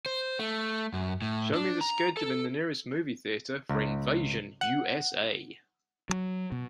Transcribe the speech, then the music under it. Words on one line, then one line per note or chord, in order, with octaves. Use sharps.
Show me the schedule in the nearest movie theatre for Invasion U.S.A..
C5
A3
F#2
A2
D4
A#5
A4
C#2
F#5
F#3
B2